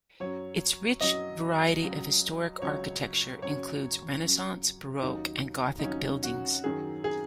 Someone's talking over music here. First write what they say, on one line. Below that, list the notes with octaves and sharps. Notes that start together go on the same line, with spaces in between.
Its rich variety of historic architecture includes Renaissance, Baroque and Gothic buildings.
F#2 F#3 C#5
F#2 F#3 D#5
C#2 C#3 F#3
C#2 C#3 F#3 C#5
F#2 C#3 F#3 C#5
F#2 C#3 F#3
D#2 C#3 F#3 D#4
D#4
D#2 C#3 F#3 C#4
F#4
F#2 D#3 F#3 G#4
G#4